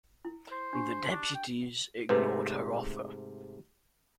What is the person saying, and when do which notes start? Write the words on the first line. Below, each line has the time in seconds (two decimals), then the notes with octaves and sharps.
The deputies ignored her offer.
0.25 E4
0.52 C5
0.73 D4 G4
1.11 D4 G4
1.35 G5
2.09 G#2 C3 A3 B4